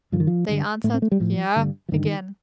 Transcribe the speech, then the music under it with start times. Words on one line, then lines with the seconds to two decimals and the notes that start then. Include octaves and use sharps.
They answered "yea" again.
0.12 G2 D3 F3
0.20 D#3
0.27 F3
0.48 G2 D3
0.84 A2 A3
0.94 C4
1.02 A3
1.12 G3
1.20 A2 F3
1.56 G2 D3
1.89 F3
1.92 G2 D3 D#3